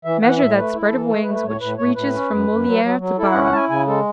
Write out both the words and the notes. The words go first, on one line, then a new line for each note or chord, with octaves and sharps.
Measure that spread of wings which reaches from Moliere to Barra.
E3 E5
E3 F#5
A2 E5
A3 B4
E4
A4
E3
A3 A4
B4
A3
B4
A2 C#5
A2 B4
A2 C#5
A2 B4
C#4
F#2
F#2
F#3
F#3
F#3
E4 A4
C#4 F#5
F#5
E4 G#5 A5
C#3 G#5
G#3 A4